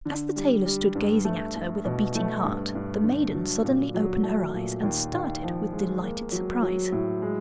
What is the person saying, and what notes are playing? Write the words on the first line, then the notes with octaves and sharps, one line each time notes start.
As the tailor stood gazing at her with a beating heart, the maiden suddenly opened her eyes, and started with delighted surprise.
D3
G3
G3
G2
A3
A3
B2
A3
G2
G2
D3
F#3
A#2
F#3
A3
A#2
D#2
D#2
F3
G#3
A#3
F#3
F#3
A2
G#3